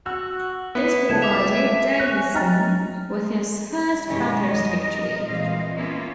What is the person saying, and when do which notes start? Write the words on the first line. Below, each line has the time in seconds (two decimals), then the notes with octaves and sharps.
This provided Davison with his first Bathurst victory.
0.06 F#4 E6
0.75 B3 E4
1.09 C#2 A5 G#6 E7
1.22 E5 D6 F7
1.99 C#4 F#6 A#6
2.34 D#4 G5 A#5 F6 A6
4.07 F#2 B2 D#3 G#3 C#4 G4
4.52 F3 G3 D#4 A#4 D#5
5.25 A#2 E3 G#3 C4 D#5 F5
5.76 A#3 B3 C#4 E4 F4